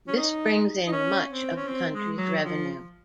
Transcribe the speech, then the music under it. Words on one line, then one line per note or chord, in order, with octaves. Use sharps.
This brings in much of the country's revenue.
C#4
D#4
D#4
C#4
C4
C#4
C4
G#3
F#3
F3